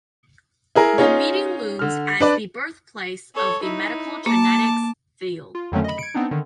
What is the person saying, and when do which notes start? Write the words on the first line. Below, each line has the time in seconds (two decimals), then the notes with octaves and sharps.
The meeting looms as the birthplace of the medical genetics field.
0.75 E4 G#4 A#4
0.98 C#4 D#4 F4 G#4 C#5
1.79 D3 F6
2.20 D4 B4 D5
3.34 A4 C#5
3.63 D#4 E4
4.26 A#3 A5 D6
5.55 F4
5.72 F2 D3 D#3 F#3 A3 C#4
5.84 D#5 B5
5.99 G#6 C#7 D7
6.14 B3 C4 D4 D#4
6.31 D3 D#3